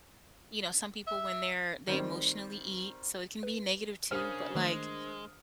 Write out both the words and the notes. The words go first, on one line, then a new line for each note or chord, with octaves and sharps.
you know, some people when they're they emotionally eat, so, it can be negative too, but like
E5
D#3 G3 C4
B4
C#3 C#4 D4 A#4 C5 D#6 F6
D#3 G#3 A3